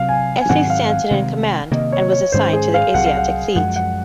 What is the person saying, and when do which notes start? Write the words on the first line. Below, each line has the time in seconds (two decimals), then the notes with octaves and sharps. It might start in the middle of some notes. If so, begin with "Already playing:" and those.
S. A. Stanton in command, and was assigned to the Asiatic Fleet.
Already playing: C3 F#3 C4 F5
0.09 G#5
0.41 G#5
0.49 G#2 D#3 F#3 C4 F#5
0.70 F5
0.90 F5
1.11 C3 D#3 G#3
1.71 C3 D#3 A#3 D#5
1.92 C#5
2.12 C#5
2.32 G#2 D#3 G#3 C#4 C5
2.53 G#4
2.74 F5
2.94 C2 C3 F#3 F#5
3.06 F5
3.17 F#5
3.55 F#2 F3 G#3 F#5
3.76 F#5